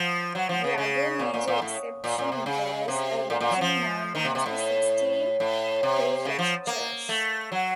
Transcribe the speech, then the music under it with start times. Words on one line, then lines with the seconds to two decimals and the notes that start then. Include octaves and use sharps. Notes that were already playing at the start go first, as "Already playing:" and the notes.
The other major exception was a region known as the Sixteen Prefectures.
Already playing: F3
0.35 F#3
0.49 F3
0.64 C#3
0.78 C#3
1.19 A#2
1.34 A#2
1.48 A#2
1.62 A2
2.04 A#2
2.18 A#2
2.32 C3
2.46 C#3
2.88 C3
3.30 A#2
3.41 A#2
3.51 F#3
3.61 F3
4.15 D#3
4.25 C3
4.35 C3
4.46 A2
5.40 A2
5.83 C3
6.25 C#3
6.39 F3
6.67 A#3
7.09 A3
7.52 F#3